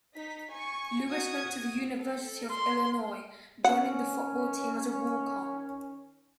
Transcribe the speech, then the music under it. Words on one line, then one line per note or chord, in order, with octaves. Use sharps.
Lewis went to the University of Illinois, joining the football team as a walk-on.
D#4 B6
G#5 C#6
F#4 D#6 G#6
A4
C6
D#3 C#4 F#5